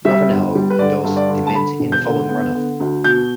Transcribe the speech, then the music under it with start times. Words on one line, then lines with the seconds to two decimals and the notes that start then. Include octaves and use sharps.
Ravenel endorsed DeMint in the following runoff.
0.05 G3 E5
0.30 G1
0.55 G3
0.70 B4
0.79 D3 D5
1.04 G2
1.17 D5
1.29 D3
1.47 A5
1.54 D3 B5
1.80 E1
1.92 G6
2.05 D3
2.29 B3
2.55 D3
2.80 D2
3.04 B2 G6